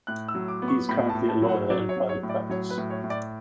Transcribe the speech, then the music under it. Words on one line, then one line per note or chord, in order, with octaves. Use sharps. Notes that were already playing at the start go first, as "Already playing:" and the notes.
He is currently a lawyer in private practice.
A2 F#6
E6
F#3
D6
B3
C#6
A2 B5
A5
A2
A5
F#3
F#5
F#3 D5
C#5
F#3
C#5
A2
D5
F#3 C#5
B4
A2
C#5
A2
D5